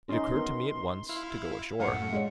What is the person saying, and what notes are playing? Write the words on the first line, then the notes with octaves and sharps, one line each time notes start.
It occurred to me at once to go ashore.
C#4 D#4 C6
B3 A#4
E4 F5
F#2 A2 A3 F5 F#5
G#3 C#5